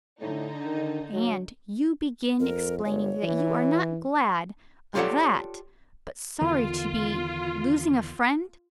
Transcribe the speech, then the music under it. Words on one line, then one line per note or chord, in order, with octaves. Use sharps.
And you begin explaining that you are not glad of that but sorry to be--losing a friend.
A2 D3 D#4
D#3
F#3
F2 A#4
G1 C#5
E3
F4 G4 A4 C#5 D5 F#5
E2 D3 D#3 F4